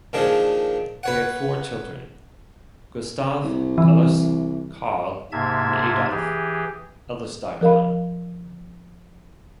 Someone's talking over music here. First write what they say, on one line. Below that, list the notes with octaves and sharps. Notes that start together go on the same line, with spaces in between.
They had four children, Gustav, Elis, Karl and Adolf; Elis died young.
A#2 D#3 F3 D4 G#4
B4 C#5 F#5
C2
E3
G#2 C3 A#3 E5 A5 G#6
E3 G4 G#4
F3 A#4 F5 B5